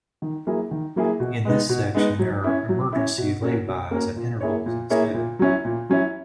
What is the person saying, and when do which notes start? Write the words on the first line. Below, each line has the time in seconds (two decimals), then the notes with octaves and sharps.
In this section there are emergency lay-bys at intervals instead.
0.22 D#3
0.47 F#3 A#3 E4 G#4
0.71 D#3
0.96 F#3 A#3 E4 G#4
1.20 B2
1.45 G#3 B3 D#4
1.69 B2
1.95 G#3 B3 D#4
2.19 F#3
2.44 C#4 E4
2.69 F#3
2.93 C#4 E4
3.18 B2
3.42 A#3 C#4 F#4 A#4
3.67 B2
3.91 A#3 C#4 F#4 A#4
4.16 A#2
4.41 A#3 E4 G#4 C#5
4.66 A#2
4.90 A#3 E4 G#4 C#5
5.14 A#2
5.39 F#3 C#4 E4
5.65 A#2
5.89 F#3 C#4 E4